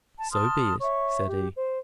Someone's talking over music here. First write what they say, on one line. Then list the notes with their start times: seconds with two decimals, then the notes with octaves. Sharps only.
"So be it," said he.
0.17 A5
0.32 A5 C6 D#6 F6
0.80 C#5 E5 C#6
1.27 G4
1.56 C5